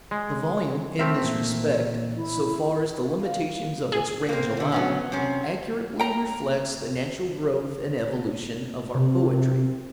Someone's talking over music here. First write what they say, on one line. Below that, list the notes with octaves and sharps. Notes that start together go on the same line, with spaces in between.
The volume, in this respect, so far as the limitations of its range allow, accurately reflects the natural growth and evolution of our Poetry.
G#3
A3 C4 A#4 E5
A#2 E3 A#3
E4
A#3 F4 F#4
B3
F4 F#4 G#4
A#3 C4
D3 A3
F#3 B3 C#4
C3 C#4
G5 A#5
C3